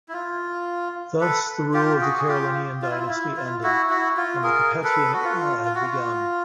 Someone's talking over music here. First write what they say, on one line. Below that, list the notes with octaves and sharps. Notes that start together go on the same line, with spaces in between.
Thus the rule of the Carolingian dynasty ended and the Capetian era had begun.
E4
F4
A4 B4
F4 G4
F#4 G#4
G#4
F4 G4
F4
E4
F4
E4
F4
E4 F#4
E4 F#4
F4
G#4 A#4
A4 B4
F#4
F4
F4
F#4
F4